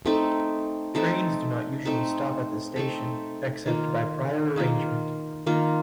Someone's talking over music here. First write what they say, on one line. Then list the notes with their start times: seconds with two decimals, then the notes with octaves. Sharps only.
Trains do not usually stop at the station, except by prior arrangement.
0.05 A3 C4 D#4 A4
0.95 A3 C4 D#4 A4
1.85 A3 C4 D#4 A4
2.76 A3 C4 D#4 A4
3.66 D#3 A#3 F4
4.56 D#3 A#3 F4
5.46 D#3 A#3 F4